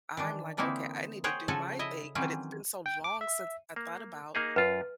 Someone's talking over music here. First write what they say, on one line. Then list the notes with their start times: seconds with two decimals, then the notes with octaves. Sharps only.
I'm like, "Okay. I need to do my thing." But it's been so long since I thought about
0.17 D#3 E3 D4
0.57 D3 E3 A#3 C4 D#4 E4
1.24 G#4 C5 C#5 F#5 G5
1.48 C#3 F3 F#4 A4 F#5 G#5
1.79 E4 D#5 E5
2.15 D#3 E3 F#3 C4 C#4
2.86 G5
3.04 D6
3.21 E5
3.76 A#3
4.35 A#3 D#4 G#4
4.56 F#2 F4 B4